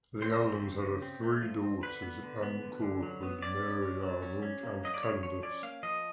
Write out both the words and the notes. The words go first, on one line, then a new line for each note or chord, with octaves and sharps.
The Allens had three daughters, Anne Crawford, Mary Arnold and Candace.
C4 C5
C4
C#3
C#3
C4
A3
F3
C4
D3 B4
B3
D3
B3
D3
D3
F#3
B3
C#4 D5
C#4
C#4
F#3
C#4
C#4
A#3
F#3 D#5
D5
D3 C#5
F3 C#5
C#4 D5
A#3 F5
F3 D#5